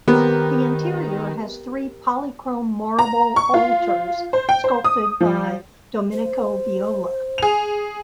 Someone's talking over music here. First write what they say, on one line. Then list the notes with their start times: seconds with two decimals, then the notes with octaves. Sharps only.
The interior has three polychrome marble altars sculpted by Domenico Viola.
0.08 D#3 B3 G4 A#4 C5
2.99 A#5
3.36 C#6
3.54 F4
4.33 C5
4.49 G5
4.64 C5
4.84 D#6
5.21 F3
6.12 C5
7.38 G#4 F7